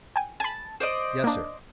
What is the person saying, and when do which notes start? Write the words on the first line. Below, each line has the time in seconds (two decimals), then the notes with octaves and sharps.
"Yes, sir."
0.16 G5 G#5
0.40 G#5 A5 B5
0.80 C5 D5 D#5
1.24 A#3 D4